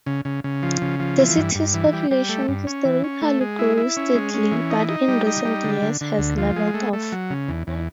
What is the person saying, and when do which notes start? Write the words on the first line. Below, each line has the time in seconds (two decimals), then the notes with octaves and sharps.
The city's population historically grew steadily, but in recent years has leveled off.
0.06 C#3
0.25 C#3
0.44 C#3
0.63 F3
0.82 C#3
1.00 F3
1.19 E3
1.37 G2
1.55 G2
1.74 E3
1.93 G3
2.11 G3
2.29 A3
2.48 G2
2.67 C#4
2.85 E3
3.04 C#4
3.22 A3
3.41 G#3
3.59 E4
3.77 E4
3.97 C#4
4.15 G#3
4.34 C#4
4.52 E3
4.71 D#4
4.89 D#4
5.08 G3
5.27 D#4
5.45 G3
5.64 D3
5.82 D3
6.01 D3
6.19 D2
6.37 F3
6.56 G#3
6.74 A3
6.93 A3
7.12 F#3
7.30 C#3
7.49 E2
7.67 E2